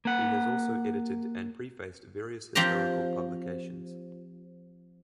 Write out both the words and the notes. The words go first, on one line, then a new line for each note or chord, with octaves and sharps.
He has also edited and prefaced various historical publications.
A#3 F#5
F3 C4 G4 A#5